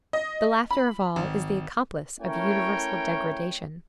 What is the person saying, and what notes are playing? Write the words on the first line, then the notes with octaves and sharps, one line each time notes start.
The laughter of all is the accomplice of universal degradation.
D#5
B5
G#1
A3 C#4 E4 A#4 C#5 G5